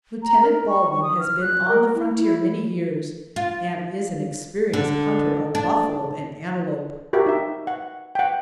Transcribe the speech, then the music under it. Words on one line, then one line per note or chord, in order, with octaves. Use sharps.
Lieutenant Baldwin has been on the frontier many years, and is an experienced hunter of buffalo and antelope.
A#5
A#4
C#6
C#6
D#6
F6
F#6
A#4
E4
E4
F4
D3
D4
F#4 G4 A#4 E5
D#4 E5
F#5
F#5 G5